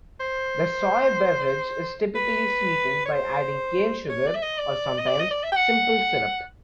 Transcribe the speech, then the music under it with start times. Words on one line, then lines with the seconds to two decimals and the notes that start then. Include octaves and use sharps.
The soy beverage is typically sweetened by adding cane sugar or, sometimes, simple syrup.
0.20 C5
2.15 B4
3.06 C#5
3.12 C5
4.09 C#5
4.27 D5
4.35 E5
4.42 D#5
4.58 D5
4.98 D#5
5.07 D5
5.20 D#5
5.31 D5
5.44 E5
5.52 G5
5.56 F#5